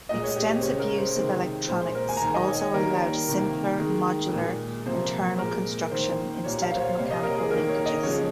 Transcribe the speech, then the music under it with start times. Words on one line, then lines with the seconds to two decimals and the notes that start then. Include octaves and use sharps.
Extensive use of electronics also allowed simpler modular internal construction instead of mechanical linkages.
0.09 A#2 G#3 D#5
0.23 C#5
0.36 G4
0.49 G4
0.59 C5
0.62 C#3 G#3 C#5
0.80 A#4
0.98 C5
1.16 C3 D#3 G#3 C5
1.68 A#2 G#3 C5
1.82 C5
1.95 A#4
2.09 G#5
2.17 A#5
2.21 D#3 G#3 G#5
2.34 D#5
2.47 C#5
2.61 C#5
2.74 D#3 G3 A#3 A#4
3.28 C3 D#3 A#3
3.80 D#3 G#3
4.33 A#2 G#3
4.86 C3 F3 A#3 C5
5.38 A#2 G#3 A#4
5.91 D#3 A#3 C5
6.44 A#2 G3 A#3 C#5
6.62 F5
6.74 C5
6.80 C#5
6.98 C3 G3 A#3 C#5
7.11 D#5
7.23 A#4
7.37 G#4
7.51 D#3 A#3 A#4
7.68 C#5
7.86 D#5
8.03 C#3 F3 G#3 C#5